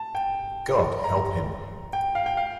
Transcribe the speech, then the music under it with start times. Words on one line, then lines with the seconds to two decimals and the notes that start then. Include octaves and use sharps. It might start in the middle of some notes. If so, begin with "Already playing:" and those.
God help him!
Already playing: A5
0.15 G5
1.04 A#5
1.93 G5
2.15 F5
2.26 G5
2.37 F5